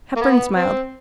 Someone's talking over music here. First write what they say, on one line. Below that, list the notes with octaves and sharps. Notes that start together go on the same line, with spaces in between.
Hepburn smiled.
A#3
B3
C4